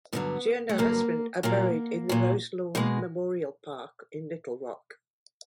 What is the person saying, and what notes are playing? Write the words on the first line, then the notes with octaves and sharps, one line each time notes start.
She and her husband are buried in the Roselawn Memorial Park in Little Rock.
G2 D3 F#3 B3
A3
G2 D3 F#3 A#3
A#2 F#3 A#3
A#2 F#3
B2 G#3 A#3